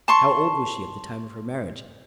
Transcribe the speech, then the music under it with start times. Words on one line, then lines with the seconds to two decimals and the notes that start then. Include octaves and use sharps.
"How old was she at the time of her marriage?"
0.08 A5 C6 C#6